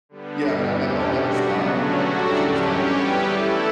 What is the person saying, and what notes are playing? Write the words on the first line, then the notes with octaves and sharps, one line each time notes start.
Yeah, I mean, I never I'll never stop. It's just I don't know.
D3 G3 B3
G2 E3 G3
E2 D3 A3 C#4 G4
B2 G3 D4 F#4
C#3 F#3 B3
D3 F#3 A3 C#4 F#4
A2 G3 D4 F#4 A4
E2 D3 F#3 C#4 G4
G3 C#4 G4 C#5
G3 B3 E4 G4 B4
E3 A3 E4 A4